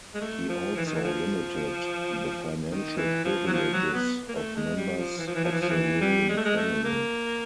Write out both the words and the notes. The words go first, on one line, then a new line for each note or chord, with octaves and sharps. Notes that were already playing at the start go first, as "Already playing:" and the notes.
He also limited the financial privileges of members of the ruling family.
G#3
A3
F3
E3
D#3
E3
F3
D#3
E3
F3
F#3
F3
F#3
B3
A#3
A3
G#3
G3
F3
E3
F3
E3
F3
E3
F3
E3
G3
G#3
A3
G#3
A3
A#3